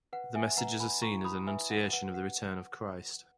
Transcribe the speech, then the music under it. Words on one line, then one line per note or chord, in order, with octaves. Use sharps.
The messages are seen as an annunciation of the return of Christ.
B4 F#5
E5 G#5
B4 F#5 A#5
G#5 B5
E4 A#5 C#6
B5 D#6
B4 E5 G#5
F#5
B4 F#5
F#5